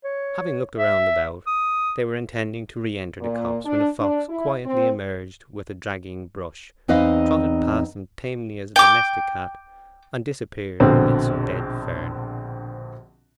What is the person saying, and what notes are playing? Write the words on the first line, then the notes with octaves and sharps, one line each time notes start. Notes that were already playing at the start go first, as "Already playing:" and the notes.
Having looked round about, they were intending to re-enter the copse when a fox quietly emerged with a dragging brush, trotted past them tamely as a domestic cat, and disappeared amid some dead fern.
C#5
E5
D#6
A#2
D4
D4
E4
C4
E2 C4 D#4 B4 D#5 F5
G5 D6
A#1 B2 D3 C4